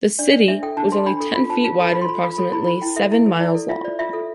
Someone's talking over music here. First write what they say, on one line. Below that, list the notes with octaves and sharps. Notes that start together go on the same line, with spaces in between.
The "city" was only ten feet wide and approximately seven miles long.
D4 D5
C5 D5
D4 E5
A4 G5
D4 A5
C5 C6
D4 B5
A4
F4 B5
C5 A5
F4 A5
A4 B5
F4 B5
C6
C5 B5
F4 B5
A4 B5
E4 B5
C5 B5
E4 G5
A4 E5
E4
C5
E4 D5
A4
F4 E5
C5 D5
F4 E5
A4